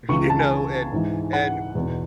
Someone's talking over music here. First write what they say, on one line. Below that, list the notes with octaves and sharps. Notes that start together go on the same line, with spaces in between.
you know, and and
C#2 C#3 E3 C#6
A5
G#5
G#2 E3
F#5
E2 B2